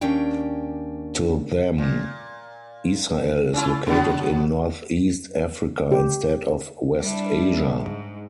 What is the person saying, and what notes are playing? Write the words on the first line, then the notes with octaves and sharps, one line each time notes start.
To them, Israel is located in Northeast Africa instead of West Asia.
D#2 C#4 D4 G5
A#2
C#4 E4 F4
C#3 F#3 B3
G4
G3 D4 E4
G#2